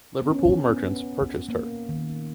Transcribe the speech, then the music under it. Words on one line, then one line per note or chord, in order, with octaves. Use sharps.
Liverpool merchants purchased her.
B3
C#4
B3
A#3
D#3